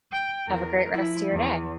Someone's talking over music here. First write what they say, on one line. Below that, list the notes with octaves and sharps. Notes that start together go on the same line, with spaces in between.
have a great rest a your day.
G5
E2 A#4
F3 E4
E2